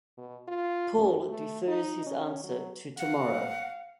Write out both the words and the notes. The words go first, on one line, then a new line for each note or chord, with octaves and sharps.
Paul defers his answer to tomorrow.
B2
F4
F#2
A3
D#4
C#4
F#3
F5 F#5